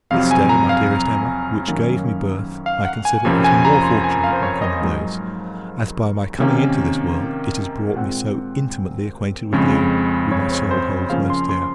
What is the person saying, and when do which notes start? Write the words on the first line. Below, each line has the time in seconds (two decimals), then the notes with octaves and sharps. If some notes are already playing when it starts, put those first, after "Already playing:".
This day, my dearest Emma, which gave me birth, I consider as more fortunate than common days; as, by my coming into this world, it has brought me so intimately acquainted with you, who my soul holds most dear.
0.11 F2 C3 F#3 F5
0.31 G#5
0.49 A#5
0.69 F5
1.68 F#2 D#3 F#3 A#3 C#4
2.66 F5
2.85 F#5
3.05 G#5
3.25 F2 C3 F3 A#3 C#4 G#5
3.44 G#5
3.65 A#5
3.83 C6
4.04 G#5
4.24 F5
4.33 C5
4.43 C#5
4.62 D#5
4.82 G#2 F#3 A#3
6.38 C3 D#3 A#3 C#4
7.96 A#2 G#3 C4 F#5
9.53 F2 C#3 G#3
10.32 C#5
10.51 C5
10.71 C5
10.90 C#5
11.10 C#3 F3 A#3 C#4 F5
11.30 C6
11.49 C6